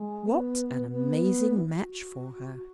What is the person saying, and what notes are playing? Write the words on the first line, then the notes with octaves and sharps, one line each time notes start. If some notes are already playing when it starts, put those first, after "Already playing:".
What an amazing match for her!
Already playing: G#3
B3
B3
E4
F#4
F#4
F#4